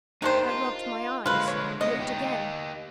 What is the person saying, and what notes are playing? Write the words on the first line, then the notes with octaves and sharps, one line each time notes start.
I rubbed my eyes; looked again.
D#3 D4 D#4 G4 C5
F4
D3 G#3 F4 B4
C#5
G#3 B3 D#5
D#4 G4